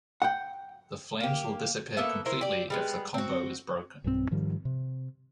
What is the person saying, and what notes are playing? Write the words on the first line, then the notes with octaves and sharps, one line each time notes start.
The flames will disappear completely if the combo is broken.
F#5 G5
A#3 G4
A#3 B3 A4 E5
E4 A#4 C5
G4 D5
G3 G#3 B3
C4 F#4
B1 G2 F3 C4
G#2 D#3 F3 G3
C3